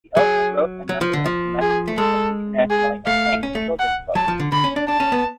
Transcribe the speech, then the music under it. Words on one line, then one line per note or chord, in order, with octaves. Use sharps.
He also wrote a number of domestically and internationally acclaimed children's books.
F#3 G#4
F#3
F3
D3
F3
G#4
A3
G#3 A4
G#4
A3 F5
C#4
A3
F#5
F#3 A5
F3
D3
D3 B5
C#4
D4
D4 A5
C#4
B3